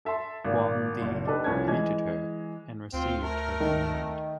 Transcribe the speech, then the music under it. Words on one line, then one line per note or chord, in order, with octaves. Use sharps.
Huangdi greeted her and received her command.
A4 E5 A5 C6
G#1 A#3
F#1 B2
D4 D#4 G4 A4 B4
C2 F3 C#4 C#5 A5 G#6
E3 G#3 G#6
D2 C4 F4
A3 A#4
D#3